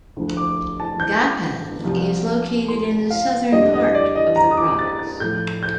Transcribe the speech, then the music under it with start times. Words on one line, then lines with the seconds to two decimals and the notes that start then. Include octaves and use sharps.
Gapan is located in the southern part of the province.
0.16 D2 D3 F3
0.37 D6
0.80 A5
1.00 G6
1.84 C2 C3 F3
2.68 C6
3.10 F5
3.52 F2 D3 G3 D#5
3.74 D#5
3.95 D5
4.15 D#5
4.36 A#5
4.51 D#6
4.57 D6
4.79 A6
4.99 A6
5.20 A2 F3 G6
5.63 G6